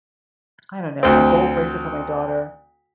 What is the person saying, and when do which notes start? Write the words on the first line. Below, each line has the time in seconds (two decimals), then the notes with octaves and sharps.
I don't know, a gold bracelet for my daughter,
1.03 D2 C4